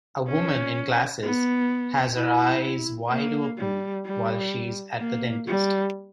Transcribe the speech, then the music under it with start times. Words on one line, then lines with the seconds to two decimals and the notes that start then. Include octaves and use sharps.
A woman in glasses has her eyes wide open while she is at the dentist.
0.28 C#4
1.23 B3
2.16 E4
3.11 A#3
3.58 G3
4.05 G3
5.00 A#3
5.47 G3